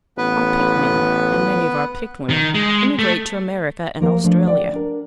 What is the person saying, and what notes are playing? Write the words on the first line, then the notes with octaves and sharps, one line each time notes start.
Our picked men, and many of our picked women, emigrate to America and Australia.
A1 B3 B4
D#3
G#3
A3
F3 A#3 A#4 C5
F3 A3 D4
D5 F#5 G5
D4 A#4